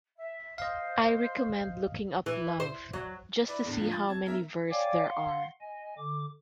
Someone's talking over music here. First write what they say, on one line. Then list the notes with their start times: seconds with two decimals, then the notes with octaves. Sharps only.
I recommend looking up “love” just to see how many verse there are!
0.17 E5
0.58 C5 D#5 F5
2.26 E3
2.60 C5
2.93 F#3
3.48 E4 B4 D5
3.64 E2 A2 D3
3.80 F3
3.92 A6
4.08 C3 A5 G#6
4.26 E1 A#4 E5 A#5
4.70 C#5 D5 F5 G5 G#5 D6
5.07 F5 F#5 C6
5.61 D#5 G#5
5.98 D3 D6